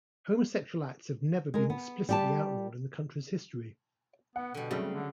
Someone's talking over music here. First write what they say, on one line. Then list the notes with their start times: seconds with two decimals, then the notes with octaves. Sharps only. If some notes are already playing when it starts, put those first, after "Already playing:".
Homosexual acts have never been explicitly outlawed in the country's history.
1.54 G#3 A#4
1.70 B3
2.09 G3 G4 A5
4.36 B3 F#5
4.54 B2 D3 G3
4.71 C#3 F#3 G3 A3 C4
4.94 D3